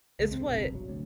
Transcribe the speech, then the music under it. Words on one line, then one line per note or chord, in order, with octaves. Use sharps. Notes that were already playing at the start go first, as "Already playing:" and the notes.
it's what
C#2 G#3
F#1 C4
B1 G2
D1 G1 C2
F#3
D2